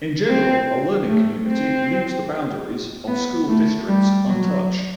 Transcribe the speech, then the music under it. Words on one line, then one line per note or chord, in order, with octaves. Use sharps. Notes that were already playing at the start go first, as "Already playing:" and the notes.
In general, a learning community leaves the boundaries of school districts untouched.
C4
A3
C4
B3
A3
G3
F#3